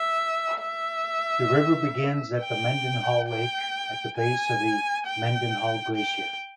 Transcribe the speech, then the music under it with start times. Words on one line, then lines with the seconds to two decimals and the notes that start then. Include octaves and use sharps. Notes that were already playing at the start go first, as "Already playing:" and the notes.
The river begins at the Mendenhall Lake, at the base of the Mendenhall Glacier.
Already playing: E5
0.61 E5
2.40 G5
3.28 G5
4.18 G#5
5.07 G5
5.96 G5